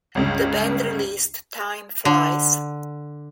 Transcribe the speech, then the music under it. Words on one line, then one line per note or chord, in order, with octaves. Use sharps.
The band released Time Flies...
G1 C#2 C#3
D3